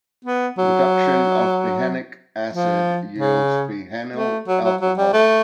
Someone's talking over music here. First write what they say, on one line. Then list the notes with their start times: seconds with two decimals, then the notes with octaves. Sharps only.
Reduction of behenic acid yields behenyl alcohol.
0.25 B3
0.58 F#3
2.53 F3
3.18 C#3
4.16 A3
4.48 F#3
4.64 F#3
4.81 F#3
4.97 G3
5.13 A3